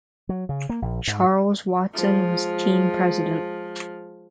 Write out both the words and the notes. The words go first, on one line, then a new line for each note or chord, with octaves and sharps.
Charles Watson was team president.
F#3
C#3
A#3
A#1
G#2
F3 G#3